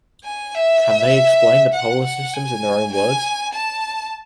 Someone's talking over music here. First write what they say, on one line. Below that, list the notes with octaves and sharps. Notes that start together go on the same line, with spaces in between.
Can they explain the polar system in their own words?
G#5
E5
F#5
F#5
G#5
G#5
A5